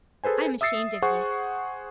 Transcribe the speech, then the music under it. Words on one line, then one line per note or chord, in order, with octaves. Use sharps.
I am ashamed of you.
G#4 A4 B4 C5 G#5
E5 D#6 E6 A6 C7 C#7
G#4 C5 F#5 C#6